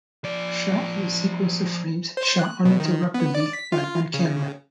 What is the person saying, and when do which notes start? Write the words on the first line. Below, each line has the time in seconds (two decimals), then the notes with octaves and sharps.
A shot is a sequence of frames shot uninterruptedly by one camera.
0.24 F3 D5
2.17 C5
2.39 F#6
2.65 B2
2.80 D#3
3.14 B3
3.35 D5
3.53 B6
3.72 F4
4.14 C#3